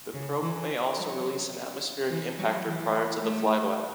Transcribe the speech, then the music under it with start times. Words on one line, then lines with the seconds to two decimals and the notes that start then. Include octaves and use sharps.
The probe may also release an atmospheric impactor prior to the flyby.
0.13 C#3
0.41 E3
0.97 F#3
2.10 E3
2.38 F#3
2.66 E3
3.22 A3